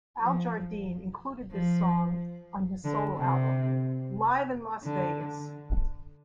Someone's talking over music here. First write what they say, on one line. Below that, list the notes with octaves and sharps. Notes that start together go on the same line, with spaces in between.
Al Jardine included this song on his solo album "Live in Las Vegas".
F3
F3
D3
C3
D3